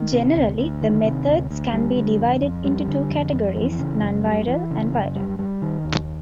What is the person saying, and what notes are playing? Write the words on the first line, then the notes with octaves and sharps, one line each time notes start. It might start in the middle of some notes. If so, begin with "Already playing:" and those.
Generally, the methods can be divided into two categories: non-viral and viral.
Already playing: D#3
C3
D2
D2
D#3
C3
D2
D2
G3
D3
F2
F2
G3
D3
F2
F2
E3
C#3
F#2
G3
E3
C#3
F#2
G3
G3
D#3
D#2